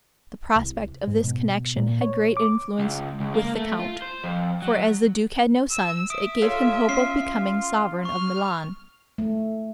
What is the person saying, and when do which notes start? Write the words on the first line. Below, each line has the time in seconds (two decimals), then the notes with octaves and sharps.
The prospect of this connection had great influence with the count, for, as the duke had no sons, it gave him hope of becoming sovereign of Milan.
0.56 C2
1.08 G#2
1.24 B2
1.77 A#2
2.01 C#5
2.37 D6
2.79 C#2
3.20 C#2
3.34 A#3
3.56 A3
3.79 F4
4.02 C5
4.24 F2
4.62 F#3
5.70 E6
6.10 E5 D#6 D7
6.42 F4 A4 C#5 F5
6.89 C#4 C7
8.05 C#6 F6
9.18 A3